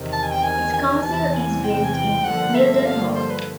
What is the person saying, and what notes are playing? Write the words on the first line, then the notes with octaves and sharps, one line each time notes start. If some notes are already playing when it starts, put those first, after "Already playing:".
Its council is based in Mildenhall.
Already playing: E2 C3 D#3
A5
G#5
G5
G#5
G#5
E2 C3 E3 A5
G#5
G5
G5
G#5
G5
G2 D3 F3 A#3 F#5
E5
F5
C5
B4